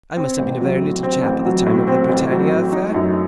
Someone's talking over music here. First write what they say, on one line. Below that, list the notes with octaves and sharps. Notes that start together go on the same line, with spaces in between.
I must have been a very little chap at the time of the Britannia affair.
C4
A1
F#3
A2
C4
A1
F#3
A2
C4
A1
F#3
A2
D#4
F#2